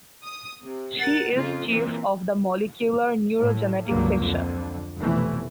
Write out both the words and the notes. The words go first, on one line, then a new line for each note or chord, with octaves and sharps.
She is chief of the Molecular Neurogenetics Section.
D#6
C3
A#4 F#5 A6
F2 C#3 F4
A#2 E3 C4
A2
C#2 G2 D3 F#3 A#3
F2 D3
F1 B2 E3 A3